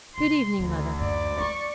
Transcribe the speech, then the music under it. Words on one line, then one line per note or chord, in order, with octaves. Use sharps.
'Good evening, Mother.'
C3 C6
D2 D3 C4
F#2 D5
F#3 C#6